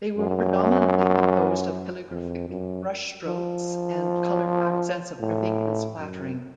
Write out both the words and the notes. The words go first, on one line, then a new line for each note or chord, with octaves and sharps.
They were predominantly composed of calligraphic brushstrokes and colored accents of dripping and splattering.
F#2
F2
F#2
F3
A2
F#2